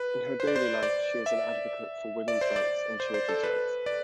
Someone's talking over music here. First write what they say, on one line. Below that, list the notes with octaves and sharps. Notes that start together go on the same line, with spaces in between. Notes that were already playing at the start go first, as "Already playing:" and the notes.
In her daily life she is an advocate for women's rights and children's rights.
Already playing: B4
C5
D5
C5
D5
E5
D5
C5
D5
C5
C5
A4
B4
D5